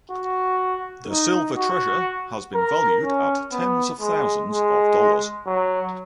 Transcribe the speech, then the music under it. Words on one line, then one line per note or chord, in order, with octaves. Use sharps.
The silver treasure has been valued at tens of thousands of dollars.
F#4
D#4
F#4
A#4
C#4
B3
G#3
G#3
F#3